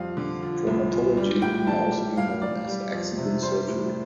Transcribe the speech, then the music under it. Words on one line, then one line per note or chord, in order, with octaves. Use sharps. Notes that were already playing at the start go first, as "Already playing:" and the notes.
Traumatology may also be known as "accident surgery".
Already playing: F2 G3 F5
D3
F3
C2
A#2
G3
A2 G5
E3 A5
G3
A2 F5
E3 D5
G3
F2
C3
G3 C5
A2